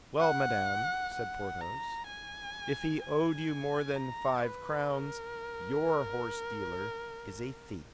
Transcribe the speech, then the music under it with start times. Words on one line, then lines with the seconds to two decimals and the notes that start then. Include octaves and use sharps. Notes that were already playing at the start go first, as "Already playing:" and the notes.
"Well, madame," said Porthos, "if he owed you more than five crowns, your horsedealer is a thief."
0.20 F#5
1.14 F#5
1.61 A#5
2.08 G#5
3.02 G#5
3.96 A#5
4.43 B4
4.90 A#4